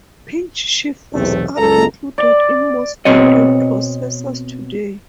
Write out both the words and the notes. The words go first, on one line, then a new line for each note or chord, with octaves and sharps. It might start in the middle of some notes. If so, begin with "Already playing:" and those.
Pitch shifters are included in most audio processors today.
B1 E2 C3 A3
F#1 C#2 A4 A#5
D5
B2 C4 C#5 D#5